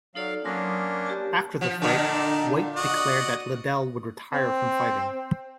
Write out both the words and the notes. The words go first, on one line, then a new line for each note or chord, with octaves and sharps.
After the fight, White declared that Liddell would retire from fighting.
F#3 D#4 A4 D5 F5
F#3 A#3 C#4 D4 C6 D#6
G4 A5
F3
A#2 D3 D4 D#4 A5
F#4 D5 D#5
C4